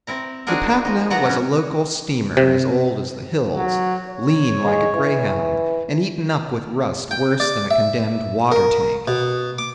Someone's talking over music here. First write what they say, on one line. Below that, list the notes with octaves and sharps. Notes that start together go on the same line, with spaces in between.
The Patna was a local steamer as old as the hills, lean like a greyhound, and eaten up with rust worse than a condemned water-tank.
C4 E4 A#5
C4 D4 D#4 F#4 G#4 A#4
F3 D#4
F#3 B3 E4 F#4 F#5 A#5
E3 C#4
C3
F#3
C#5
G#3
E3
G5
D5
E5
A#4
B2
D6